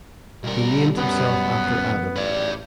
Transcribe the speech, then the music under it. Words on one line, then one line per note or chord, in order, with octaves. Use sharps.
He named himself after Adam.
B1 G3 A#4
F#2 B3 C#4
A1 B4 D5